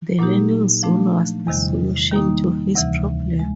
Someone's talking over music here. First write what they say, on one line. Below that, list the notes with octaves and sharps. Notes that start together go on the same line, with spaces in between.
The Learning Zone was the solution to this problem.
A#2 F#3 A#3 D#4 G4
F3 A3 D4
E2 C3 D#3 G3
D#3 G3 A#3 D#4
D2 C3 E3
G#3